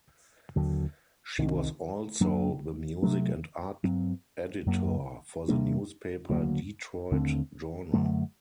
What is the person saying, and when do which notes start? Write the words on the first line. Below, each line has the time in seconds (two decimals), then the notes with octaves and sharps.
She was also the music and art editor for the newspaper "Detroit Journal".
0.56 D#2 D3 F#3
1.38 C2 C3 D#3
2.20 F#2 F#3 A#3 D4
3.02 C3 F#3 A3
3.84 G2 F#3 C4
4.66 F#2 F#3 A#3
5.48 C3 G3 A#3 D4
6.29 D2 D3 F#3 A#3
7.11 D#2 D3 A3 C4
7.93 F#2 D3 F#3 A3